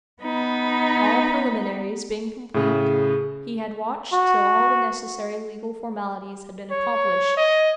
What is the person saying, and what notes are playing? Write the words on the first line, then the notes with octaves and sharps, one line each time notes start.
All preliminaries being complete, he had watched till all the necessary legal formalities had been accomplished.
B3 D#4 B5
A2 C#3 G#4
F#4
C#5
D#5